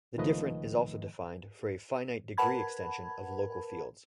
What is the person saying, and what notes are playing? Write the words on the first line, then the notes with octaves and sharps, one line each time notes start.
The different is also defined for an finite degree extension of local fields.
C#2 D#3 F3 A3 B4 D#5
A#4 B4 F#5 A5 B5 G#6